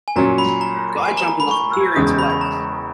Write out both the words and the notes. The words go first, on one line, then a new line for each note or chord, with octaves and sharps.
Guy jumping off a pier into lake.
G#5
A#2 F#3 C#4 A#5
B5
A#5
G#5
A#5
A#5
B5
C#6
E6
E1 E2 C#3 G#3 D#6
B5
B5
A#5